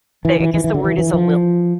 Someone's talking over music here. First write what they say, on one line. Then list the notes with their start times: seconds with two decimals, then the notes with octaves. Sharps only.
They I guess the word is a lilt.
0.25 E3
0.40 E3
0.54 E3
0.64 E3
0.74 D3
0.84 E3
0.98 E3
1.14 F3